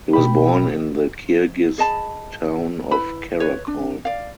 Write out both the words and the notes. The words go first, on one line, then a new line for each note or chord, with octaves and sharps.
He was born in the Kirgiz town of Karakol.
B2 G5 B5
G#4 D#5 A5 B5
E4 B4 B5
B4 C#5
D4
D5 F5